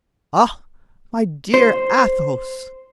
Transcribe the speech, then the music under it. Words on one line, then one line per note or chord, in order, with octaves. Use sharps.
"Ah! my dear Athos!"
C5